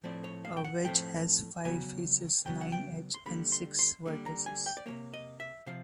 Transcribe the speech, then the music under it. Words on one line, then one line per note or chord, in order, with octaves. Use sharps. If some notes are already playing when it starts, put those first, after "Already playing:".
A wedge has five faces, nine edges, and six vertices.
A2 F3 A3 C4 D5
C#5
F5
G5
F#5
A2 F3 A3 C4 G5
C#3 F#3 B3 G#5
C#3 F#3 B3 G5
F#5
G5
C6
D3 G3 A#3 B5
C6
C6
D3 G3 A#3
A#5
G#5
G5
D5
C3 F3 A#3 C#5
D#5
E5
C3 F3 F5